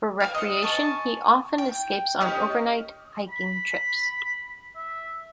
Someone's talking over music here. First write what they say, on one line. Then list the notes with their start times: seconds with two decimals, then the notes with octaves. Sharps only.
For recreation he often escapes on overnight hiking trips.
0.20 F5 G5 G#5
0.35 D#5 F#5
0.63 G#5 A5 C#6
1.58 G5
2.21 C#4 G4 D#5
3.29 B5
4.76 E5